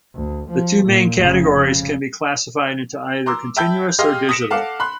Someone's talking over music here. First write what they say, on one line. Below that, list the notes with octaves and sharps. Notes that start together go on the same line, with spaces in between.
The two main categories can be classified into either continuous or digital.
D2
F3
A#2
F1 C#3
C#3
A#5 C6 D6 E6
E5 G5 A5 B5 G6
G4 G#4 D#5 F5 C6 F6
D#6 A#6 B6 C#7 D7 E7
A4 F5 F#5 D6
B5 C6 F#6